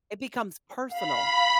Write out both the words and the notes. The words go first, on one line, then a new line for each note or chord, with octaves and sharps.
It becomes personal.
F5 B5